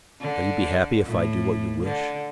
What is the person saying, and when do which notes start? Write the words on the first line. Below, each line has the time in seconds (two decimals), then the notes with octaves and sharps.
"Shall you be happy if I do what you wish?"
0.21 D3
1.05 A2
1.83 D3